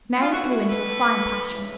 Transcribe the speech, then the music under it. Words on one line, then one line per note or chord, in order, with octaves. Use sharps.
Mary flew into a fine passion.
F4
G2 D3 E4 F#4
E4 F#4
A4 B4
E2 C#3 E3